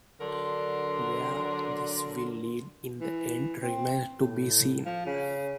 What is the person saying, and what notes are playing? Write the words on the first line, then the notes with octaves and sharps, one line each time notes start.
Where this will lead in the end remains to be seen.
D3 F#3 D4 A#4 C6
E3
C4
A2
F3
C#3